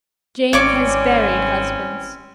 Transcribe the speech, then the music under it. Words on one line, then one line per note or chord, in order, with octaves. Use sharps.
Jane has buried husbands.
G#1 E3 C4 C#4 C#5 D5 D6